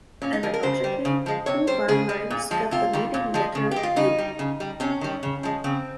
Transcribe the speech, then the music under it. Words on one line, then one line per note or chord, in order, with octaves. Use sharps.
Analogically, U-Bahn lines got the leading letter "U".
A#2 C#4
D#4
F3 G#3 A#4
A#4
C#3 C5
G3
C#3
F3 G#3
C3 C#5
G3 C5
C#3 G#4
G#3
A#2
F3 G#3
C3 F4
D#3 G3
A#2
F3 G#3
C#3
G#3 G4
F4
C#3 D#4
G3
C#3
G3
C3 C#4
D#3 G3
C#3
F3 G#3
C#3 C4